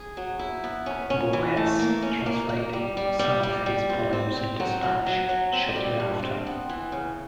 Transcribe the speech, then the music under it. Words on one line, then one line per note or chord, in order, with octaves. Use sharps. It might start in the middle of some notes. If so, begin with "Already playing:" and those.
Borges translated some of his poems into Spanish shortly after.
Already playing: G#4
F#3
E4
B3
C#4
C#4
E3
A3
A#3
C#4
A#3
A#3
G3
G3
G3
G3
G3
C4
C4
C4
F#3
F#3
F#3
F#3
C4
G3
G2
C4
B3
E3
C#3